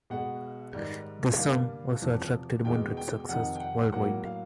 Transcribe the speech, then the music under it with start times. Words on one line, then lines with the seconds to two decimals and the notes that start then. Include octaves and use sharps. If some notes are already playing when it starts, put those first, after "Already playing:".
The song also attracted moderate success worldwide.
0.10 B2 G#3 F#5
0.74 G#2 D#3 G3
1.38 G2 D3 G3 A#3 F5
2.01 E2 C3 F3
2.65 E2 B2 G#3 G5
2.97 G5
3.29 F2 C3 D#3 F#5
3.56 G5
3.60 F#5
3.92 A2 F#3 A#3 F#5
4.25 F5